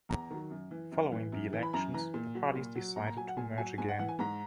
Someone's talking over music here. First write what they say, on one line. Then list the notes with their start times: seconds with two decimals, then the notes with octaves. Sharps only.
Following the elections the parties decided to merge again.
0.09 E2 A#5
0.30 D#3 F#3
0.50 F#2
0.71 E3
0.92 F#2
1.12 E3
1.32 F#2
1.53 E3
1.63 B5
1.73 F#2 A#5
1.94 E3 A#5
2.14 A#2
2.35 F#3
2.55 A#2
2.75 F#3
2.96 A#2 A#5
3.07 A#5
3.17 F#3 G#5
3.28 F#5
3.37 A#2 G#5
3.58 F#3 G#5
3.78 G#2 G#5
3.88 F#5
3.99 E3 F#5
4.09 G#5
4.19 G#2 A#5